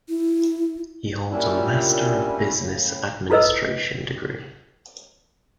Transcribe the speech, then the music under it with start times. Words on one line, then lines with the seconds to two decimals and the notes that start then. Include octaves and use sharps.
He holds a Master of Business Administration degree.
0.09 E4
1.31 A#2 G3 C#4 D4 E4
2.57 A2 C#3
3.30 E4 F4 A4 B4 D#5 E6